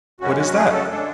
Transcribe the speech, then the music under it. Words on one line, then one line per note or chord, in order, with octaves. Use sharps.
What is that?
F#2 C#3 G#3 C#4 F#4
F#4
G#4
A4
D3 G#3 D4 A4